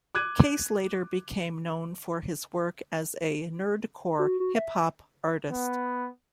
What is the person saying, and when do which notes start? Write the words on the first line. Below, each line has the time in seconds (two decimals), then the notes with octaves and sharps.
Case later became known for his work as a Nerdcore hip hop artist.
0.15 D6 F#6 G#6 D#7
4.19 F#4
4.40 F#4
4.55 E5
5.51 B3